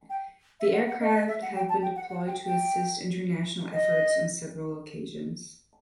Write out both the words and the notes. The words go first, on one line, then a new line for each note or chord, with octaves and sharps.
The aircraft have been deployed to assist international efforts on several occasions.
G5
E5
F#5
F#5
D#5
D#5
E5
F#5
G5
A5
G5
F#5
F#5
G5
G5
D#5